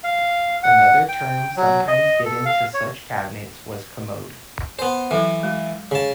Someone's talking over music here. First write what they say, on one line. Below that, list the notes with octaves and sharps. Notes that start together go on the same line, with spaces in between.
Another term sometimes given to such cabinets was commode.
F5
F#5
G5
F#3
D#5
A4
F5
C#5
B3 C5 G#5
E3 F#3 A4
G#3
C#3 A5